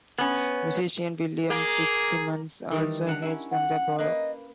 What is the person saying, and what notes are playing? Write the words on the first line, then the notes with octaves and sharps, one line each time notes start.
Musician William Fitzsimmons also hails from the borough.
B3 C#4
A#3 G#4
D#3 E3 G3
D4 F#5 A#5
C#4 E4
F#5
A#3 B4 D#5